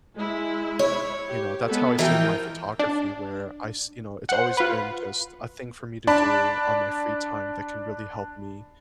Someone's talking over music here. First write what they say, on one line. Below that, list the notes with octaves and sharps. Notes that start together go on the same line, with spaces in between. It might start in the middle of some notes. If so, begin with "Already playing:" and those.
you know, that's how I see my photography, where I s you know, it's always been just a thing for me to do on my free time that can really help me,
G#3 E4
C#5
G4
G#3 B3 A4
E3 F3 A#4 G5
D4
C5 F#5
F4 B4
D4 D5 A5 B5